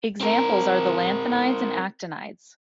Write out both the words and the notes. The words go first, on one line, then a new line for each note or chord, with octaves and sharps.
Examples are the lanthanides and actinides.
C4 A#4